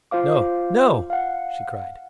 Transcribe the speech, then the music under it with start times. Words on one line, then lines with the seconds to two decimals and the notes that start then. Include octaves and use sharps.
"No, no," she cried.
0.11 F4 C5 F5 D6
1.10 F5 F#5